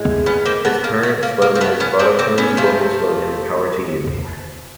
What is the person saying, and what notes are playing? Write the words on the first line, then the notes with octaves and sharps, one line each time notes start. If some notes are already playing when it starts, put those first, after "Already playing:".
Its current slogan is Vodafone's global slogan, "Power to you".
Already playing: A2 E3 G#3
B3 C#4
A#3 C4
A3 B3
A#3
A3
A#3
A#3
C4
A3 B3
B3 C#4
C4 D4
A#3 C4
B3 C#4
C3 F3 A3